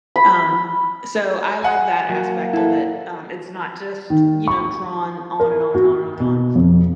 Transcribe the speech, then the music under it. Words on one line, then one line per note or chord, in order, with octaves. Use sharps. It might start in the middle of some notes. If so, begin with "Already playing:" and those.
Um, so, I like that aspect of it, um, it's not just, you know, drawn on and on and on and on and on.
B5
F#5 G#5
F#3 A#3
E4 A4
D#3
C#6
A#4
F#4
B2
F2